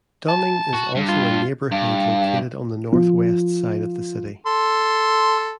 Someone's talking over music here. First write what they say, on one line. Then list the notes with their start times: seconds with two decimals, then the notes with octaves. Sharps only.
Dunning also is a neighborhood located on the Northwest Side of the city.
0.28 A5
0.73 F#4
0.95 G2
1.08 F4
1.72 G2
2.93 F3
4.47 A4 C6